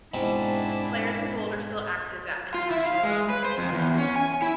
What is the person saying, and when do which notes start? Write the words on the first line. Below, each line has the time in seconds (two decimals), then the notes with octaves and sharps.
Players in bold are still active at international level.
0.14 G#2 B2 C4 D4 E4
2.54 F4
2.71 E4
2.86 F5
3.04 G#3
3.30 B4
3.45 C5
3.58 F2
3.73 E2
3.98 C#4
4.16 G#5
4.42 E4